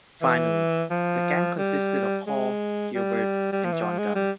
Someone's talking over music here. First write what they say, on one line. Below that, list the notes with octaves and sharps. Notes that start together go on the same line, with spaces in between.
Finally the gang consisted of Hall, Gilbert and John Dunn.
E3
F3
G3
G#3
G3
G3
F3
E3
F3
G#3
G3